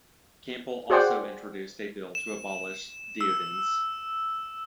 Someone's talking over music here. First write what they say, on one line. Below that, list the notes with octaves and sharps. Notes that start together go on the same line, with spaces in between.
Campbell also introduced a bill to abolish deodands.
F#4 G#4 C5 D5 F#5 G5
E7
E6